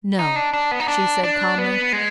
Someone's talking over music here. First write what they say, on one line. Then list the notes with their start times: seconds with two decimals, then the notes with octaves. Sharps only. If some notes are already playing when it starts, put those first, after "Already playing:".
"No," she said, calmly.
0.19 D#4
0.36 D4
0.53 D4
0.71 B3
0.80 D#4
0.88 D4
1.23 D4
1.58 B3
1.92 G#3